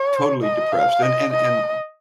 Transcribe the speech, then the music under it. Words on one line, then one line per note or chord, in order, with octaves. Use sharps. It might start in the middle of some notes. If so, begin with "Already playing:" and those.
totally depressed, and and and
Already playing: C#5
D#5
F5
D#5
D#5